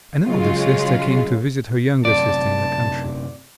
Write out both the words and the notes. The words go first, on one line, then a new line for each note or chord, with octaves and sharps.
An elder sister came to visit her younger sister in the country.
C#3 F#3 G#3 F4
F#2 C3 D5 A5